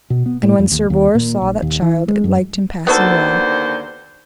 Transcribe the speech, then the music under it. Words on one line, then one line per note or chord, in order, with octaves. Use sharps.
And when Sir Bors saw that child it liked him passing well.
B2
B3
A2
F2
D#2
D#2
A#2
A#1
D#2
E3
G#3
F#2
D#2 D3 B3 F#4 A4 C5